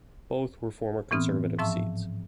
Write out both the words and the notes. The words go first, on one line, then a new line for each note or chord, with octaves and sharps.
Both were former Conservative seats.
A2 E3 B3 C4 D#6 F6
G#2 F3 E5 A5 C#6 E6